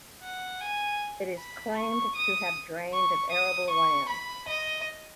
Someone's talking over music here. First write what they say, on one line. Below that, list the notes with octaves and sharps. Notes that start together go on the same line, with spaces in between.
It is claimed to have drained of arable land.
F#5
G#5
B5
C#6
D#6
C#6
D#6
C#6
B5
D#5